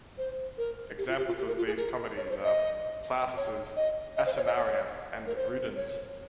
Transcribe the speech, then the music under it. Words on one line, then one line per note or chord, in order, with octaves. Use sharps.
Examples of these comedies are Plautus' "Asinaria" and "Rudens".
C5
A#4
G4
F4
G4
F4
G4
A#4
F4
G#4
A#4
C#5
C5
D#5
C#5
D#5
D#5
C5
C#5
D#5
C#5
A#4
C5
C#5